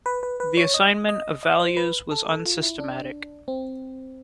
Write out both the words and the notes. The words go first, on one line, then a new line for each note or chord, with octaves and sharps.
The assignment of values was unsystematic.
B4
B4
B4
C#5
D#5
D#5
D#5
C5
B4
A4
A4
F4
E4
D4
C4